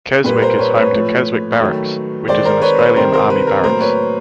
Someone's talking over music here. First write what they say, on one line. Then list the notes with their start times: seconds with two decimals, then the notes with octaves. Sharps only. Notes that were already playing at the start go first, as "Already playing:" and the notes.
Keswick is home to Keswick Barracks, which is an Australian Army Barracks.
0.24 A#2 G3 A#3 B4
0.41 A#4 C5
0.59 B4 C#5
0.75 B4 C#5
0.92 A2 F3 A3
1.61 D#3 F#3 A3
2.28 D#3 G#3 C5 D5
2.45 A#4 C5
2.62 B4 C#5
2.79 B4
2.96 C3 D#3 G3 A#4 C5
3.13 A#4 C5
3.30 B4
3.47 A#4
3.63 A2 F#3 A#3 A#4 C5
3.80 B4 C#5